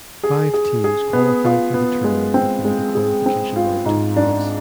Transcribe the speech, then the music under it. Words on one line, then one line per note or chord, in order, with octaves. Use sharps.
Five teams qualified for the tournament before the qualification round took place.
G#4
G#4
G#4
B3
F4
B3
G#3
C4
G#3
G#4
C4
F4
G#2
D4